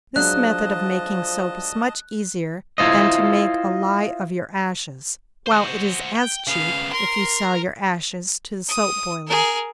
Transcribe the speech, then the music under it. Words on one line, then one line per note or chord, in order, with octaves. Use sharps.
This method of making soap is much easier than to make a lye of your ashes, while it is as cheap, if you sell your ashes to the soap-boiler.
F3 F#3 G#3 D4 D#5 A5 F#6
E4 F4 C5 D#5
F#4 C5
G5
C#3 B3 F5
A#4 C6
D#6
G#4 A#4